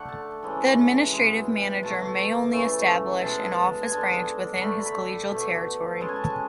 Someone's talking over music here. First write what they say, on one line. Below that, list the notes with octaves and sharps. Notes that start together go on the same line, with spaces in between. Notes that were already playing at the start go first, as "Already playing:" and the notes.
The administrative manager may only establish an office-branch within his collegial territory.
Already playing: D3 A3 F#5
A5
C#3 E3 G#3
B2 G#3
B2 A3 A5
C#3 E3 A3
B2 G#3 A5
G#5
D3 G#3 A5
D3 A3 B5
B5
B2 A3
C#3 G#3 A5
G#5
A5